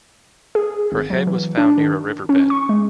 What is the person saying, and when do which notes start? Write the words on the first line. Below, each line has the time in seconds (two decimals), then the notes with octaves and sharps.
Her head was found near a riverbed.
0.55 G#4
0.92 G#1
1.10 F#3
1.27 E3
1.58 D4
1.77 D#3
2.29 C#4
2.50 C#6
2.69 G#3